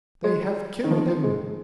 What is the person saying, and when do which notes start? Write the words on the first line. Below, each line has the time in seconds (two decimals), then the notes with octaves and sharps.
They have killed him!
0.24 G#3
0.84 D#3
0.91 F3
1.06 C4
1.24 G#3